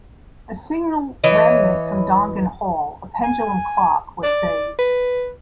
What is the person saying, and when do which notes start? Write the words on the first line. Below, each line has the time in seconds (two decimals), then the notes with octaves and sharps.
A single remnant from Dongan Hall, a pendulum clock, was saved.
1.24 E3 C#5 D#5
3.24 G#5
4.23 D5
4.79 B4